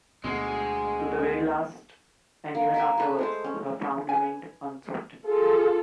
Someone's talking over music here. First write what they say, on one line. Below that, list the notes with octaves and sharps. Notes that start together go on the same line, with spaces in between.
To the very last, and even afterwards, her frown remained unsoftened.
D2 B2 G#3 D#6 C7
A#3
A#4 E5 G#5
A4 B4
G#3 A3 C5
C#4
B4 G#5
F4 G#4 A4